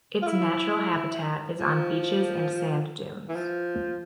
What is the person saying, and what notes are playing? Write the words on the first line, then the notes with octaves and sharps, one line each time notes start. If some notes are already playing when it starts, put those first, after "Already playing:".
Its natural habitat is on beaches and sand dunes.
F4
E4
F3
E3
F3